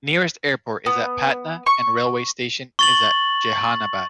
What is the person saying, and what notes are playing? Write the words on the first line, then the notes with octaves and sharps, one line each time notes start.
Nearest airport is at Patna and railway station is at Jehanabad.
B3
C#6
C#6 A6 F#7